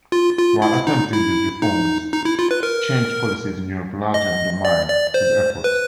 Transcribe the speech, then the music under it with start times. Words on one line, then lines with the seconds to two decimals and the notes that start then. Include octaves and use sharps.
While attempting these reforms, changed policies in Europe largely undermined his efforts.
0.12 F4
0.38 F4
0.62 E4
0.87 D#4
1.13 E4
1.62 D#4
2.13 D#4
2.25 E4
2.39 F4
2.51 B4
2.63 A#4
4.14 D#5
4.65 D5
4.89 D5
5.14 C5
5.64 B4